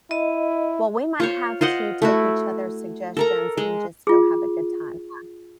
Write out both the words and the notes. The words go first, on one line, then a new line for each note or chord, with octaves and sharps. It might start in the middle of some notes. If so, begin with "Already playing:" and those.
Well, we might have to take each other's suggestions and just go have a good time, then.
E4 D#5
F4 C5 C#5
F4 C5 D#5 F#5
A3 E4 F#4
A4 A#4 A#5
G#3
F4 G#4